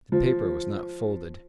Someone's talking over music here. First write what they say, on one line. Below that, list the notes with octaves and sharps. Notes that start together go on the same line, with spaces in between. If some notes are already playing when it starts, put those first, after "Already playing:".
The paper was not folded.
F3